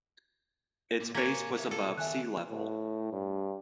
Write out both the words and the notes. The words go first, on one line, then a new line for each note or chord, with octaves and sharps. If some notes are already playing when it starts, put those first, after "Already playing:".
Its base was above sea level.
A2 A#3
A#2 A#3 C#5 G#5 G#6 A#6 B6
G3 E5
B1 F4 A4
D#3 B3 E5 G#5 F#6
A2
G2